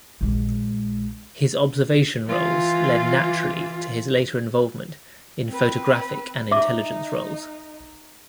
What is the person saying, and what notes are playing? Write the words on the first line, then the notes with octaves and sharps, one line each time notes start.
His observation roles led naturally to his later involvement in photographic and intelligence roles.
A#1 G#3
E3 F4
C4 B4
D#4 E5 D6